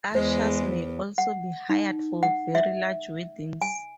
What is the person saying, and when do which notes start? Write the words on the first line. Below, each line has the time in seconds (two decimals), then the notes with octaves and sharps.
Ushers may also be hired for very large weddings.
0.15 E2 G#3 C5
1.18 F#5
1.69 D#4
2.23 F#5
2.55 E5
3.62 G#5